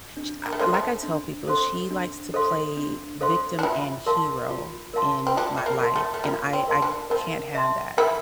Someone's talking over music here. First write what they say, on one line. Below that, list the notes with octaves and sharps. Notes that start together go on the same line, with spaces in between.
sh I like I tell people, she likes to play victim and hero in my life, and I I can't have that.
D4
A#3
A3
A#3 A4 C5 F5 C6
A3
D4
A4 C5 F5 C6
D4
A4 C5 F5 C6
D4
A4 C5 F5 C6
D4
E3 E4 F4
A#4 F5 A5 C6
F4
A#4 F5 A5 C6
C4
D3 D4 F4
A3
A#3
A#4 F5 A5 C6
A3
A3
A#3 F4
C4
A#4 F5 A5 C6
D3 D4
F3 F4 A#4
E5 A5 C6
E3 E4 A#4